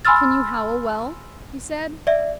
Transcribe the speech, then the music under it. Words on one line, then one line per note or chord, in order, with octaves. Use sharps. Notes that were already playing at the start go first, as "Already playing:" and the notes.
'Can you howl well?' he said.
G#5 B5 C6 E6 F6 A6
D5 E5